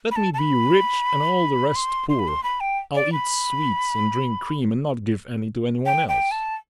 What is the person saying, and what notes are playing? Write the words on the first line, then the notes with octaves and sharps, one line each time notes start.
Let me be rich and all the rest poor, I'll eat sweets and drink cream and not give any to any one else.
B5
A5
A5
B5
C6
C6
B5
C6
B5
G5
D5
B5
G5
G5
A5